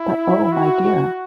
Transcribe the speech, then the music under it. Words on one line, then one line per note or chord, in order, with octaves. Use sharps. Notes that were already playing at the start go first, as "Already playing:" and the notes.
But oh, my dear!
Already playing: E4
F#4